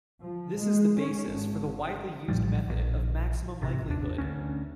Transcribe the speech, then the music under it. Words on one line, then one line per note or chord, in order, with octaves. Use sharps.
This is the basis for the widely used method of maximum likelihood.
F3
G#3
C#4
G#1
A#1 A2 F3 G3
D1 A#1
G#1 C3
D#2 D4
D2 C#4